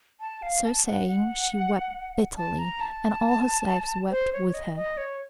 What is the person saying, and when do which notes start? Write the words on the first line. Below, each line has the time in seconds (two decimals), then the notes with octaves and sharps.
So saying, she wept bitterly, and all her slaves wept with her.
0.20 A5
0.42 F5
0.65 A5
0.86 F#5
1.07 F#5
2.37 A5
2.59 A#5
2.80 A5
4.11 C5
4.33 C#5
4.54 D#5
4.76 D#5
4.97 C#5